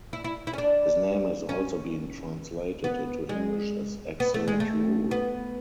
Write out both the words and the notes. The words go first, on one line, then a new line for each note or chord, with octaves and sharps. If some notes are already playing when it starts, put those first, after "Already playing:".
His name has also been translated into English as Excellent Rule.
E4
E4
E4
C#4
D4
C#4
B3
G#3
B3
A3
G#3
A3
B3